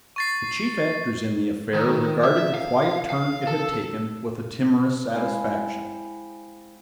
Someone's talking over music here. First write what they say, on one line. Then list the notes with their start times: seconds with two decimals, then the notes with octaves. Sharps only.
The chief actors in the affair regarded the quiet turn it had taken with a timorous satisfaction.
0.16 C#6 A6 C7
1.74 D#3
2.23 E5
2.55 F5
3.10 F5
3.47 A4
5.14 G#3 C4 E4 F5 G#5